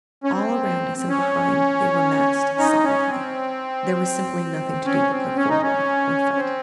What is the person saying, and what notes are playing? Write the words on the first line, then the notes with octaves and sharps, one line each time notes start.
All around us and behind they were massed solidly--there was simply nothing to do but go forward--or fight.
C#4
C4
C4
C#4
D#4
C#4
C4
C#4
C4
C#4
D#4
C#4
C4